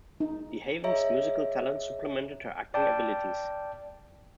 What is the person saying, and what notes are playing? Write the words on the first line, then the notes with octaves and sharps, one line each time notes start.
DeHaven's musical talents supplemented her acting abilities.
D#4
G#4 C#5 D#5 E5 A#5
D5 G5 A5